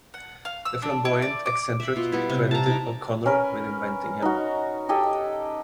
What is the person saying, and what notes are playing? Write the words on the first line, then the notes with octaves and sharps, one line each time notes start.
The flamboyant eccentric credited O'Connor with inventing him.
F#5
F5
E6
D4
E4
D5
D6
E5 B5
B2 F4
G3 B3 E4
C3
A5 A#5
D#4 E4 D6
C#4 A#4 B4
D#4 F#4
G4 A4 D#5 G#5